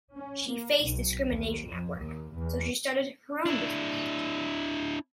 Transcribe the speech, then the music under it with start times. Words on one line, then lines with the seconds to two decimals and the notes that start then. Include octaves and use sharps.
She faced discrimination at work, so she started her own business.
0.15 C#4
0.48 A#3
0.83 B1
1.29 D#2
1.67 F2
1.97 D#2
2.34 E2
3.46 D4 E4